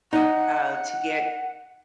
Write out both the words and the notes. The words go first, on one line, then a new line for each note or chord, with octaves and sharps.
uh, to get,
D#4 D#5 F#5